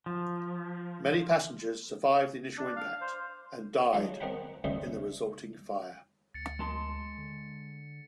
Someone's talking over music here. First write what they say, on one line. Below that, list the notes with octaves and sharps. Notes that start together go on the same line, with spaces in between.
Many passengers survived the initial impact and died in the resulting fire.
F3
D4
F5
C5
F#3 G#3 D4 D#4 F4
C4 A#4 D#5 F#5 G5 B5
C#2 C#3 G3 C5 D#5 E5
D2 A6 C#7
G#3 A5 C6
D3